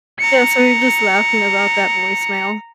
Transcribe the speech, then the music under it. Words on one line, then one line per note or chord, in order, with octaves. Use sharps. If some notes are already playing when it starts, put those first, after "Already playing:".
Yeah, so we're just laughing about that voicemail.
A#5 C#7